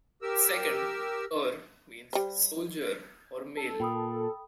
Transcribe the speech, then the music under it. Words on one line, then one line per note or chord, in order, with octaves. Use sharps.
The second, "er" means soldier or male.
G4 A#4 E6
G3 C5
A4
A#2 G5 B5 D#6